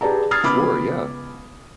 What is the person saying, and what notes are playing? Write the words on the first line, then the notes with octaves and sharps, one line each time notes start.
Sure, yeah.
G4 G#4 B4 D5 A5 A#5
D#6 F6 G#6 A6 C7
C#2 B3 B5 D6 F6